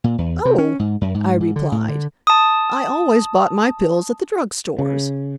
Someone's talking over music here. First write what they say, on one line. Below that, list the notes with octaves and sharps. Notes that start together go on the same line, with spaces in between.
"Oh!" I replied, "I always bought my pills at the drug stores."
A#2
E2
C3
C#4
G#2
F#2
G#2
G#2
D3
A2
D3
A5 D#6
C#3